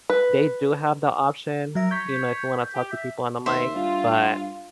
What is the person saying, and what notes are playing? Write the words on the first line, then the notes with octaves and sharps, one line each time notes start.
they do have the option, you know, if you wanna talk to people on the mic, but
B4
F#3 A#4 E5
C#5 G6 B6
G4
E5
D#2 C5 E5
G2 F4